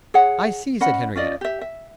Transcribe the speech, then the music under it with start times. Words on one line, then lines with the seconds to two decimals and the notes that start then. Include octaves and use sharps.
"I see," said Henriette.
0.14 G#4 C#5 F#5
0.80 C#4 D#5 F#5 B5
1.15 C#4 F4 D5 D#5
1.41 G4 E5
1.61 E5